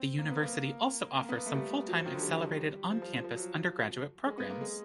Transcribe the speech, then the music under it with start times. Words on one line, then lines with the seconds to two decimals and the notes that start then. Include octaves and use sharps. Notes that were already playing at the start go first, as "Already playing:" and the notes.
The university also offers some full-time accelerated on-campus undergraduate programs.
Already playing: C4
0.19 A#3
0.30 B3
0.43 A#3
1.20 A#3
1.29 B3
1.38 A#3
1.46 A3
1.54 G3
1.89 F#3
1.97 F3
2.06 D#3
2.14 D3
2.23 G3
2.91 F3
3.02 F3
3.14 F3
3.24 F3
3.36 F#3
4.26 G#3
4.38 B3
4.50 A#3
4.61 G#3